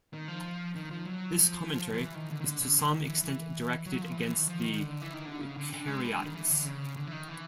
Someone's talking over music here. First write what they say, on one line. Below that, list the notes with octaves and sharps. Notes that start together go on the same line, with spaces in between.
This commentary is to some extent directed against the Karaites.
D#3
F3
D#3
F3
F#3
F3
F3
E3
D#3
D3
D#3
D3
D3
D3
D#3
E3
E3
F#3
F3
E3
F3
E3
D#3
F3
D#3
D3
E3
D#3
D3
C#3
D3
D3
G#3
G3
D3
D#3
E3
D3
C#3
D3
E3
D#3
E3